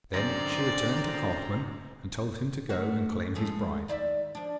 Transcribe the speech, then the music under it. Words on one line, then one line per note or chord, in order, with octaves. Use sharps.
Then she returned to Halfman and told him to go and claim his bride.
G#1 F#2 D3 C4 C5 D5 A#5 A#6
A3 A#3 F#4
F3 G#3 A3
D#3 D5 E5
F3 D4